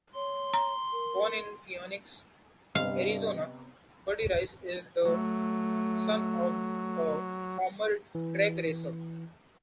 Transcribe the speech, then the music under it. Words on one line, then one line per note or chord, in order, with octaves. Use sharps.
Born in Phoenix, Arizona, Buddy Rice is the son of a former drag racer.
C#5 C6
A#5
A#4
G2 C3 B3 D#5 F5
F#3 A3
E3